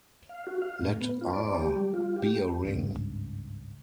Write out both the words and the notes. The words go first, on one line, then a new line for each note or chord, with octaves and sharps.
Let "R" be a ring.
F5
F#4
F5
A2
B3
F4
D5
G4
G3
F4
G4
G#1 C#2 G2